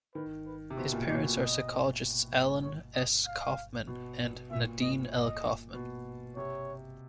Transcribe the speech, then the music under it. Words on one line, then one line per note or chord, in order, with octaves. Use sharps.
His parents are psychologists Alan S. Kaufman and Nadeen L. Kaufman.
D#3 B4
B4
C3
B2 C5
A#2
B2 D5
B2
B2 D#5
C#5
D#5
F5
B2
A#2 E5
D#5
D#5
B2
C3 C#5